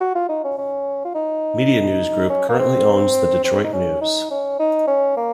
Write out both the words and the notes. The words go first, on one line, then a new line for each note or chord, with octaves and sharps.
MediaNews Group currently owns "The Detroit News".
F#4
F4
D#4
C#4
C#4
F4
D#4
C#4
A#3
C4
C4
D#4
C#4
D#4
C#4
D#4
C#4
A#3